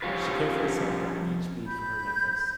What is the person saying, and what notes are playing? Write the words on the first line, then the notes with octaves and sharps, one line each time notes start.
She carefully selected each bead for her necklace.
F3 G3 C#4 F4 B4
B5 G6